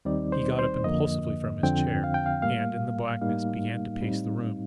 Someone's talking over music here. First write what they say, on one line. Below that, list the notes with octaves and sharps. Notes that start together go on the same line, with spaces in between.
He got up impulsively from his chair, and, in the blackness, began to pace the room.
D#2 D#3 G3 C4 D#4 D5
C5
C5
F2 D3 F3 A#3 D#5
F2 D3 F3 C4 G5
F5
G5
F5
A2 G3 A#3 F5
A2 G3 A#3 D#4 F5
A2 G3 C4 D#4